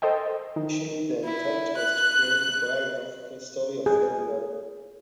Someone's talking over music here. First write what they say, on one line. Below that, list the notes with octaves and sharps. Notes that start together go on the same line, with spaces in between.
Initially, the intent was to create a biographical story of Freddie Mercury.
A4 C5 D#5 G5
D#3
E4
F#6
G#4